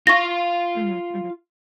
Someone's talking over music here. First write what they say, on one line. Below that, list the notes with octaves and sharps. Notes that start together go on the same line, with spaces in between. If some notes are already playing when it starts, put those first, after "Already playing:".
Mhm, mhm.
F4 F5 C#6 A#6